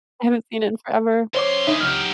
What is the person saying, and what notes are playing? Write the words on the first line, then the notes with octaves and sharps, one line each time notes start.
I haven't seen it in forever.
F#2 C5 C#5 C6 D6
D#4 G#4 B4 E5
C#2 F#3 G4 F6